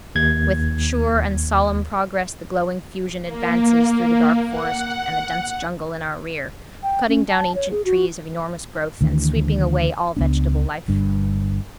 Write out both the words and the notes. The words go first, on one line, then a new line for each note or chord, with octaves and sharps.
With sure and solemn progress the glowing fusion advances through the dark forest and the dense jungle in our rear, cutting down ancient trees of enormous growth and sweeping away all vegetable life.
D#2 G#6
A#3
F#5
G5
C#4
A5
C#5
G#4
F#4
D2 D#3 E3 D4
C#2 B3 D4
G1 G2 D4